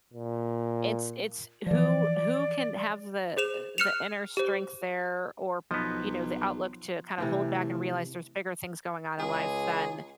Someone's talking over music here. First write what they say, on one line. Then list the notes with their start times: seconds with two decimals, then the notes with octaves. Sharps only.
it's it's who who can have the, uh, the inner strength there or, you know, the outlook to kinda hold back and realize there's bigger things going on in life than
0.13 A#2
1.66 E3 F3 D5
3.37 G#4 C5 E7 F7
3.78 F6 F#6 C#7 E7 F7
4.37 G4 C5
5.71 B1 F3 B3 D#5
7.18 A2 C3 E3 G5
9.19 C#2 G#4